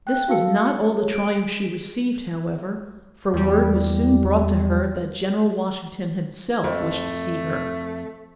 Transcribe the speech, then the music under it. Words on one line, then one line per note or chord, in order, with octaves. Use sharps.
This was not all the triumph she received, however, for word was soon brought to her that General Washington himself wished to see her.
G5 F#6
F#4 F5 A5 E6 C#7
C#5
G#4 D7
E2 G3
F2 A3